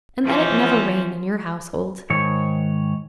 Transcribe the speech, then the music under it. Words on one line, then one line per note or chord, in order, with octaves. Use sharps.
And let it never rain in your household.
E3 F3 C4 C#4
G#2 D#3 C#5